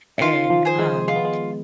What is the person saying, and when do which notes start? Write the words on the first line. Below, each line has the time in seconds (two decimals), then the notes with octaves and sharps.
and, um,
0.21 D#3 F4
0.50 F3
0.65 G#4 C5
0.79 G#3
1.08 G#3 F4
1.16 B3
1.25 G#3